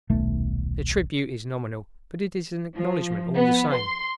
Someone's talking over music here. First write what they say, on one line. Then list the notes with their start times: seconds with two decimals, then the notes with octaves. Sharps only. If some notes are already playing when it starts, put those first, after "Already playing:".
The tribute is nominal, but it is an acknowledgment all the same.
0.09 D#1 B1 A3
2.74 F3
3.34 B3
3.73 C6